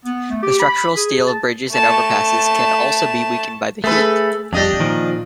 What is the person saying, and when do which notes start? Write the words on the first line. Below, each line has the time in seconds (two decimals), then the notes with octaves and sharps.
The structural steel of bridges and overpasses can also be weakened by the heat.
0.05 B3
0.30 A3
0.43 G4
0.59 B5
0.96 G#4
1.27 A5
1.71 A3 A5
3.84 A3 G#4 A4 B4
4.53 F2 G3 D4 D#5
4.79 A#2 D#3 F3